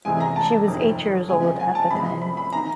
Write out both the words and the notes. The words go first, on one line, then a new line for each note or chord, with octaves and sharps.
She was eight years old at the time.
F1 E2 C3 E3 G#3 G#5
A#5
A5
G1 F2 C3 D#3
C#2 C3 F3 G#3 G#5
G#5
A5
C2 C3 F3 G#3 B5
B5
B5
D#3 A#5